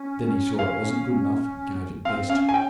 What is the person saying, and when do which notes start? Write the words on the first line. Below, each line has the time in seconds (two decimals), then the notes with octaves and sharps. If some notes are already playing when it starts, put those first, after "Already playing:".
Then he saw it wasn't good enough, and gave it best.
Already playing: C#4
0.59 F5
2.05 C4 F5
2.29 C#4 F5
2.49 G#5
2.54 C#4 G5